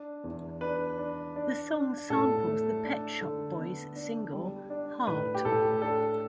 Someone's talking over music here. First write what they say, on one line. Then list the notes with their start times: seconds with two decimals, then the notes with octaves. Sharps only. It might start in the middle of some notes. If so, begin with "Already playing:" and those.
The song samples the Pet Shop Boys' single, "Heart".
Already playing: D4
0.24 E2
0.61 D4 B4
0.98 D4
1.36 D4
1.72 D4
2.10 A2 A4
2.47 A3
2.84 D4
3.21 D3
3.58 B3
3.96 D4
4.33 G3
4.70 D4
5.07 A2 B4
5.35 G4
5.45 A2 A4
5.81 D4 A4